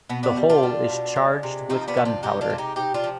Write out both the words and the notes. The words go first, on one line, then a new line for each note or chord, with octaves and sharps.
The hole is charged with gunpowder.
B2 B3
B3 D4
G3
D4 F4
G3
B2
G#3
C3
F3 C4 D#4
B3 D4
C3
D4 F4
G#3 D#4 G4
D4 F4
C3
D#4 G4
C3 D#4 G4
D4 F4
F3